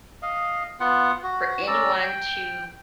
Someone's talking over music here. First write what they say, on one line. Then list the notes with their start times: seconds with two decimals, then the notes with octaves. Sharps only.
for anyone to
0.22 D#5 F5
0.80 B3 F4 F#5
1.23 F#4
1.67 C#4 D5 A#5 E6
2.03 G5